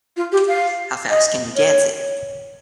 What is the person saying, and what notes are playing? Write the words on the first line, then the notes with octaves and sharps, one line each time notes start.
How fast can you dance it?
F4
G4
F5
D#5
C#5